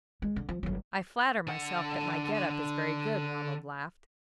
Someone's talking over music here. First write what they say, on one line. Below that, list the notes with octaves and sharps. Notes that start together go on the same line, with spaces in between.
"I flatter myself that my get up is very good," Ronald laughed.
G#3
D3
F3
G1 F#3
D3 F#5